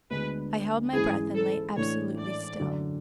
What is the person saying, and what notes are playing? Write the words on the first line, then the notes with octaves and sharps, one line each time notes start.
I held my breath and lay absolutely still.
D2 D3 G#3 B3 D4 B4
G#2 E3 G#3 C#4 E4 G#4
A4
A2 E3 A3 D4 C#5
D5
F#2 D3 F#3